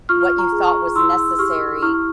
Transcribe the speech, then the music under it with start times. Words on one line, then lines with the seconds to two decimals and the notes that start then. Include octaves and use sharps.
what you thought was necessary,
0.09 F4 C#6 F6
0.38 A#5 C#6
0.52 G#4
0.67 A#5 C#6
0.96 E4 C6 E6
1.39 G4 C#6 F6
1.82 E4 C#6 F6